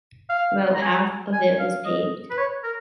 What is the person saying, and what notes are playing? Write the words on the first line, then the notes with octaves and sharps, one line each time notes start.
About half of it was paved.
F5
A#5
G#5
G#5
F5
D#5
B4
C#5
A#4